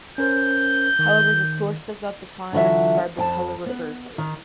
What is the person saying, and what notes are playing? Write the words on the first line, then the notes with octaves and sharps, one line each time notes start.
However the source does not define or describe the color referred to.
C#4 A#4 C5 G6
D#3
D3 E3 F#3 F4 E5
F2 G5 A5
B3 B4
D#3